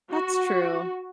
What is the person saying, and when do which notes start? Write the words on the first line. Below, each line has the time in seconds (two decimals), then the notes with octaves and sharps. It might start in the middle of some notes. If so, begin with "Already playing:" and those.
That's true,
0.12 F#4